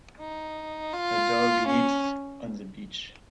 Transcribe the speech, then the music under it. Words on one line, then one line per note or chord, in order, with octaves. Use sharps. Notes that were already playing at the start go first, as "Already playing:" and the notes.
A dog leaps on the beach.
D#4
F4
C#4